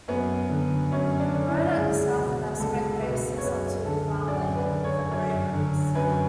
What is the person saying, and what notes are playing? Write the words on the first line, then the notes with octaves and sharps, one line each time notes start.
The road at the southern aspect faces onto farmland and the River Great Ouse.
F#2 B3
D3
F#2 C#4
D4
D3
E4
C#2 G#4
B2
C#2 A4
B2 B4
C#5
F#2 B4
D3 A4
F#2 D5
B4
D3
C#5
F#2
D3
F#2 B4